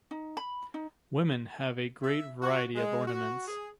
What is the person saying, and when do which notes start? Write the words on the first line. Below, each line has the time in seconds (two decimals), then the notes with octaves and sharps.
Women have a great variety of ornaments.
0.11 D#4
0.37 B5
0.74 D#4
2.02 E5
2.42 F#4
2.75 G#3
3.07 F#4
3.48 G#4